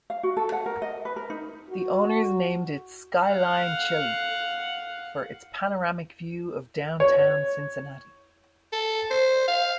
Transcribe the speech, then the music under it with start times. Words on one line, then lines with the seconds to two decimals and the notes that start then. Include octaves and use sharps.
The owners named it Skyline Chili for its panoramic view of downtown Cincinnati.
0.10 F5
0.23 F#4
0.37 A4
0.52 F#5
0.66 A#4
0.82 D#5
1.05 B4
1.16 A#4
1.30 D#4
1.70 F#4
3.25 F5 F#5
7.00 C#5
8.73 A4
9.10 C5
9.48 F5